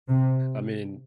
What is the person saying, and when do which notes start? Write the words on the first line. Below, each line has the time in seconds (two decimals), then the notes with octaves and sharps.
I mean,
0.09 C3